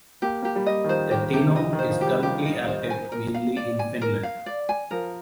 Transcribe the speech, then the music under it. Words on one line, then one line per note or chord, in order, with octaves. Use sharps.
Tateno is currently active mainly in Finland.
A#3 G4
A#3 G4
G3
D#5
D#3
F3 C5
D#3 G4
C3 G4
C3
D3 D#5
D#3
C5
F3
G4
G3
F3 G4
D#5
C5
G#5
A#4
F5
D5
G#5
A#4
F5
D5
G#5
F3 A#4